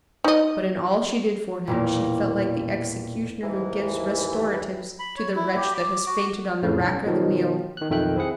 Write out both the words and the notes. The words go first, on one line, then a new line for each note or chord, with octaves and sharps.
But in all she did for him, she felt like the executioner who gives restoratives to the wretch that has fainted on the rack or the wheel.
D#4 D#5
E1 A#2 A#3
D#2 G#2 E3
B5
C#5
E4
G4
D6
F#4
F2 A2 C#3
B1 C#4
B2 D#3 F3 F#3
D#3 F#6
B1 F2 D#3 E5 G5 F#6
C4 E4 G#4 F#5